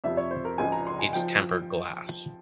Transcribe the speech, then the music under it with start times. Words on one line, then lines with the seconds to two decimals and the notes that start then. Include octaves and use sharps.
It's tempered glass.
0.04 F2 C3 F3 E5
0.17 C#5
0.31 C5
0.45 A#4
0.58 C#2 C#3 F3 G#5
0.72 A#5
0.87 C6
0.99 G#5
1.13 F3 G5